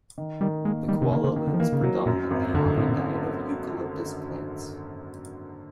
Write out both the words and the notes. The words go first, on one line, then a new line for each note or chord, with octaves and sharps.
The koala lives predominantly on a diet of eucalyptus plants.
D#3
D#3 G3
G#3 A#3
D#3 G3
C3
C#3 A#3
C#3
D#3
D3
F3
E3 A#3
C#3
C3 F#3
F#2 A#2
G#1
F2 D3
F#2
G#1 A2
A#2